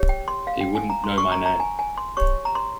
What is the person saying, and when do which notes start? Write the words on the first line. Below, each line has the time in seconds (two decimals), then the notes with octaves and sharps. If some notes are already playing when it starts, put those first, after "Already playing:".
He wouldn't know my name.
Already playing: G4 C#5
0.09 G5
0.28 C6
0.47 F5
0.61 G5
0.75 G#5
0.90 A#5
1.04 C6
1.18 C#6
1.32 A#5
1.46 A#5
1.60 G#5
1.79 G#5
1.98 C6
2.17 G4 C#5 C#6
2.45 A#5
2.55 C6